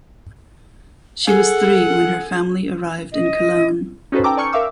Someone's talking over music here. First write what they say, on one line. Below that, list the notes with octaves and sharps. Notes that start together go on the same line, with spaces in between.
She was three when her family arrived in Cologne.
G#4 A4 F#5
D#5
C#4 D#4 F#4 A4 B4 C5
G5 A5 A#5 D6 E6
D5 G#5 C#6 F6 G6 C#7
A#4 E5 F5 D6 E6